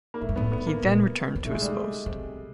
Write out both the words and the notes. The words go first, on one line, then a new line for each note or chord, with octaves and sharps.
He then returned to his post.
A#3
A2 A3
G#2
A2 B3
B3
A#3
A#2
C3
B2 A3
G#3
G3
G#3
C3